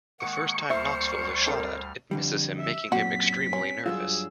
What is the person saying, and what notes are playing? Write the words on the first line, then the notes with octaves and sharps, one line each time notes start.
The first time Knoxville is shot at, it misses him making him extremely nervous.
D#3 G#3 A#3 F#5 C#6
D2 G3 A#3 C5 E5 F6
C4 A4 A#4
F2 D3 G3
E5 E6
F#2 A#2 C4 F#4 B6
C#4
G2 F#3 F4 G#4 E6